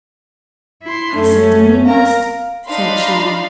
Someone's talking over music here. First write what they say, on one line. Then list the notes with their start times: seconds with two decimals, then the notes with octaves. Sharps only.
"I certainly must," said she.
0.83 E4 C6
1.16 F#2 A3 C#4
1.86 A#4 F5 A#5
2.67 D4 D#4 F5 B5 C6